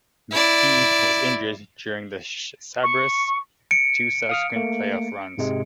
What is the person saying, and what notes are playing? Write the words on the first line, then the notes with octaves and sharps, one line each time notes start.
McKee was injured during the Sabres's two subsequent playoff runs.
E4 D5
C#6
C#7 D7
F5 D#6 F6
A3 A#3
G#2 C3 G#3